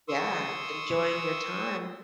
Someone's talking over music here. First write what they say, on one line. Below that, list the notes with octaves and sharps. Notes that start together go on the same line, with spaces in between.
Yeah, enjoying your time
C6 C#6 D#6 E6